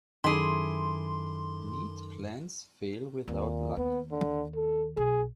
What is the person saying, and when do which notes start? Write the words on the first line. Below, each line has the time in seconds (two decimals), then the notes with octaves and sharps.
Neat plans fail without luck.
0.24 F#2 D#3 E4 G#4 A4 C6 D6
3.28 D#2 A#2 C4
3.77 D#2 B3
4.11 D3
4.55 A4
4.97 B1 G#4